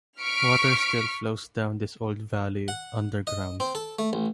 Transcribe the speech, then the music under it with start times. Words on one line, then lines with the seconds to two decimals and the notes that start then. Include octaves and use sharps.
Water still flows down this old valley-underground.
0.21 C#6 F6 B6 D7
2.68 F#5
3.27 D#5
3.60 C4
3.75 A4
3.99 A3
4.13 A1